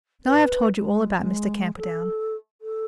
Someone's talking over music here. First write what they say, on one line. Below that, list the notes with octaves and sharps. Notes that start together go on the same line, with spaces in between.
"Now I have told you all about Mr. Camperdown."
B4
G#3
G#3
A4
A4